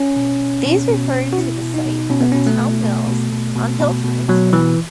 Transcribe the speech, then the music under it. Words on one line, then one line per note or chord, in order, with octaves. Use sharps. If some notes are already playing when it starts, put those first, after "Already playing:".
These referred to the site of the Town Mills on Hillfarrence Brook.
Already playing: C#4
B2
B2
B2
B2
B2
F#4
B2 E4
B2
D#4
B2
B2 C#4
B3
B2 C#4
A3
B2
B2
B2
B2
B2
B2
B2
B2 F#3
B2 E3